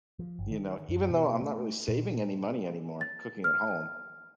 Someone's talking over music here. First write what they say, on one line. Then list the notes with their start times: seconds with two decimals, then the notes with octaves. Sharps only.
you know, even though I'm not really saving any money anymore cooking at home,
0.19 F3
0.39 G1
0.51 D#3
0.89 F#2
1.10 B2
1.42 A3
1.88 A#2
3.01 A6
3.44 F6